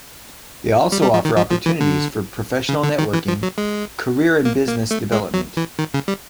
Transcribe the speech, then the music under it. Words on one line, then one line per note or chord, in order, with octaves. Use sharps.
They also offer opportunities for professional networking, career and business development.
G3
G3
F3
D#3
F3
F3
E3
D3
C#3
D3
D#3
E3
F3
F#3
G#3
A#3
A#3
A3
G#3
F#3
E3
D#3
C#3
G3